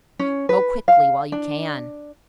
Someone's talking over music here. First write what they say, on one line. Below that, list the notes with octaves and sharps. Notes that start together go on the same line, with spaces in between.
"Go quickly, while you can!"
C#4
B4
F5
D4